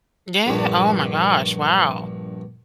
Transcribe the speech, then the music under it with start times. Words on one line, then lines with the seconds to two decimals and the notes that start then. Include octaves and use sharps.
Yeah, oh my gosh, wow.
0.47 A#1 G2